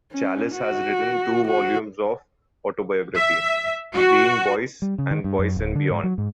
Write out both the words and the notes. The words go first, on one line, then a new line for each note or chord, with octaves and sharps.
Challis has written two volumes of autobiography, "Being Boycie" and "Boycie and Beyond".
C#4
F#4
F#4
E5
F#4
G3
C#3
D#3
G2
F#2
D1
D3
G#2
F#3
G#2